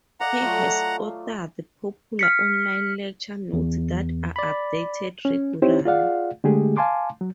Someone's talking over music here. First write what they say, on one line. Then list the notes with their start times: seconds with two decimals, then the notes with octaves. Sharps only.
He has authored popular online lecture notes that are updated regularly.
0.20 D5 D#5 F5 F#5 A#5
0.40 F#3 A3 F4
2.19 F6 B6 C#7
3.53 E2
4.36 D5 B5
5.25 C#4
5.62 C4 D#4 E4 G4 C5 C#5
5.85 F4 G#4 D5 F5 F#5
6.44 D3 G#3 A3 G4 G#4
6.77 F5 G#5 A5 C6 D6
7.21 F#3